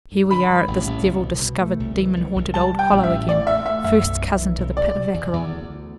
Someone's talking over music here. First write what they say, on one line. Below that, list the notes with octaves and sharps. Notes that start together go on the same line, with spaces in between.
Here we are at this devil-discovered, demon-haunted old Hollow again--first cousin to the pit of Acheron.
G2
D3 B5
G2
A1
A1
C2
B2
B2
A3
C2
E3
C2
C2
G3 A5
G3
G5
A1
E5
A1
A3 D5
A3 E5
A3 E5
F#2 E5
B1
B1
E3
B1
C3 D5
C3
E2
E2
D2
D2